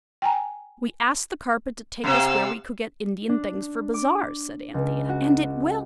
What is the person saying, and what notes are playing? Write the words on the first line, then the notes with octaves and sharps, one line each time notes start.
'We asked the carpet to take us where we could get Indian things for bazaars,' said Anthea, 'and it will.'
G5 G#5 A#5
F#2 C3 F5 F#5 E6
D4
D6
C#2
F#4